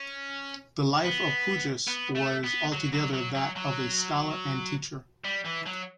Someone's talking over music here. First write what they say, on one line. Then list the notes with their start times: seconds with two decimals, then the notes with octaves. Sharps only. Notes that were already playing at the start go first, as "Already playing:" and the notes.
The life of Cujas was altogether that of a scholar and teacher.
Already playing: C#4
1.05 B3
1.88 B3
2.16 A3
2.44 B3
2.73 F#3
2.93 F#3
3.14 F#3
3.35 F#3
3.56 F#3
5.24 G3
5.45 E3
5.66 F#3